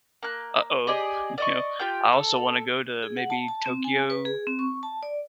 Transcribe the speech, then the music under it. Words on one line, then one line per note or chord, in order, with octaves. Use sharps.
"Uh-oh," you know, I also wanna go to maybe Tokyo
A#3 F#6
G4 G#4 D5 D#5
D5 D#5 C#6
F4 G4 G5 G6
A4
G#4
F#5
A5
A5
C4
G#5
B4
G#4
C4
C#6
A5
D5